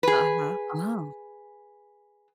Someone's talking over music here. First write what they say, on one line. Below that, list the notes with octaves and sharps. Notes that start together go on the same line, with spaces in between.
Uh-huh, oh.
G#4 B4